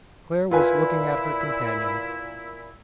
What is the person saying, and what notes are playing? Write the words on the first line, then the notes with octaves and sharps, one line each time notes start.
Claire was looking at her companion.
A#2 E4 F4 B4 G#5